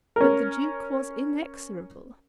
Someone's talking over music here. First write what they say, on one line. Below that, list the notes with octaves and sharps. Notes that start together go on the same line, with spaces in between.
But the Duke was inexorable.
C#4 A#4